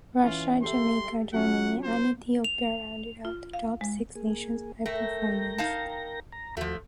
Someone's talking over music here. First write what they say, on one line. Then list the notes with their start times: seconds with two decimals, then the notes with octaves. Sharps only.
Russia, Jamaica, Germany and Ethiopia rounded out the top six nations by performance.
0.24 E3 C#4 F4
0.63 G4 A4 E5 C6
1.34 F#3 C#4 F4 F#5
1.83 C5
2.44 F7
3.25 F4
3.53 F5
3.81 G#3
4.15 A#3 G#4
4.86 A3 A#4 G5 A#6
5.58 D#4 F5 A5
6.32 A#5
6.57 D#2 F3 A3 F#4